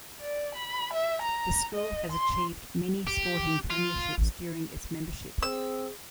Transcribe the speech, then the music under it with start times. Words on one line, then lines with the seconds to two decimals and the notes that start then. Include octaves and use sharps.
The school has achieved many sporting premierships during its membership.
0.22 D5
0.55 B5
0.93 E5
1.22 A#5
1.74 D#5
2.12 C6
3.07 G4
3.71 F4
4.18 A1
5.43 C4 G#4 E6